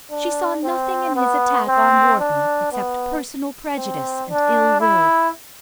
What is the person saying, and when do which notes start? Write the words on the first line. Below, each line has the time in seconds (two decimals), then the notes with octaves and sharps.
She saw nothing in his attack on Wharton, except personal prejudice and ill-will.
0.11 D4
0.64 C4
1.15 B3
1.68 C4
2.20 D4
2.72 B3
3.77 C4
4.29 D4
4.81 E4